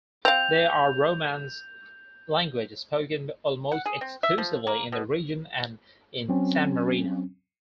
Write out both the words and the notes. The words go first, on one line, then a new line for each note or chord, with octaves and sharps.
They are Romance languages spoken almost exclusively in the region and in San Marino.
C4 F5 G6 F7
F#5
G#4
C4
E5
F3
A#3
B2
F#3 C4 C#4